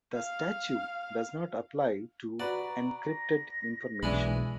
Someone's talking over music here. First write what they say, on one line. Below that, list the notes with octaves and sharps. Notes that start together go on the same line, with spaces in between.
The statute does not apply to "encrypted" information.
F5
F#4 B4 D5 A#5
A#6
B1 E3 G#3 D4 B5